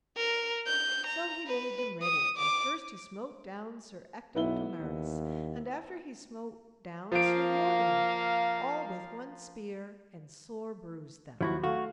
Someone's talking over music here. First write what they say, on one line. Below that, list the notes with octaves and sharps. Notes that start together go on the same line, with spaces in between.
So he made him ready, and first he smote down Sir Ector de Maris, and after he smote down Sir Morganor, all with one spear, and sore bruised them.
A#4
G6
A#5
B4
D#6
D6
B1 B3 E4 G7
D#2
F3 A#3 F5 D7
D#2 F3 F#3 E4 F#4 B5
A3 F#4 F5